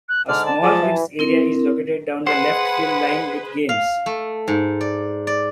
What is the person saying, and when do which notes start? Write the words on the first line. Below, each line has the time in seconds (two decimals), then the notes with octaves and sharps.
A small kids' area is located down the left-field line with games.
0.09 F#6
0.28 G#2 D3 D5 F6
0.46 A5
0.63 F3 G#4 D5
0.81 E3
1.19 C4 E4 A#4
2.27 G#4 B4 C5 F#5
3.69 F5
4.06 A3
4.48 G#2
4.81 D5
5.27 D5